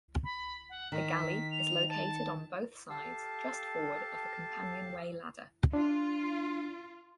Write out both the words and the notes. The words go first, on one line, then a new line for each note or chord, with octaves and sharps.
The galley is located on both sides just forward of the companionway ladder.
B5
F#5
D#3 B6
F7
A5
G4 A4 F5 A5
D4 F4